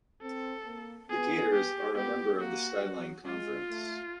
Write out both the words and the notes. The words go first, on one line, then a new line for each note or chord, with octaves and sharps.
The Gators are a member of the Skyline Conference.
C4 A4
A#3
B3 G#4
G4
B3 G4
A#3 F#4
F#3
G#3 F4
A3